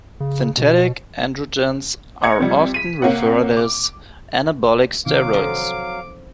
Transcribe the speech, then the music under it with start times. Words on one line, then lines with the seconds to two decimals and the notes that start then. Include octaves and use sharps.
Synthetic androgens are often referred to as anabolic steroids.
0.20 C#3
0.58 B2
2.23 D#5 G#6 C#7
2.39 C3 F3 G3
2.74 B6 D#7
3.02 C3 A#3 C#5 F#5
3.57 D6
5.06 C3 D#3 F#3 F5 D6
5.33 F2 F3 D#4